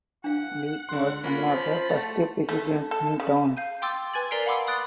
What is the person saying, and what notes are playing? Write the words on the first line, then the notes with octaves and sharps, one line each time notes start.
Leith was one of the first physicians in town.
D4 F5 F#5
C#2 D3 C6
A#3 C#4 F4 B5
F3
A3 F5 F#5 A6
A3
A4
C#3
F5 G6 D#7
G5 C6 D6 E6 A6
B4 G#5 G#6 A6 F#7
A#4 D5 A#5 B6 C7 D7
F5 F#5 B5 C6 D6 E6
B5 D#6 F#6 A6 D7